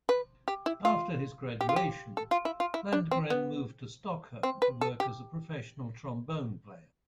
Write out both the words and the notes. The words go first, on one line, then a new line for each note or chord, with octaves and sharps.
After his graduation, Landgren moved to Stockholm to work as a professional trombone player.
B4
G4
E4
F4
G4
F4
G4
A4
F4
E4
F4
E4
D4
C4
B3
C4
B4
A4
G4